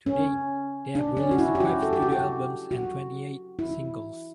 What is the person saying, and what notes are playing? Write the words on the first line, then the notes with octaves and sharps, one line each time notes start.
To date, they have released five studio albums and twenty-eight singles.
C#4
D4
C#4
F#4
E4
G4
F#4
A4
G4
F#4
G4
F#4
E4